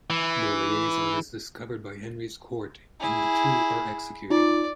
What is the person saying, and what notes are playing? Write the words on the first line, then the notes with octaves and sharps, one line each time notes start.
Their liaison is discovered by Henry's court and the two are executed.
E3
E4 G#4
D#4 F4 D5